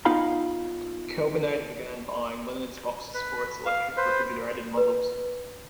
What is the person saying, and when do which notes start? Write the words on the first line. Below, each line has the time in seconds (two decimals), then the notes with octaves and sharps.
Kelvinator began buying Leonard's boxes for its electric refrigerated models.
0.05 B3 D#4 F4 F5 B5 C6
3.14 B4
3.66 F5
3.97 B4 C5
4.77 B4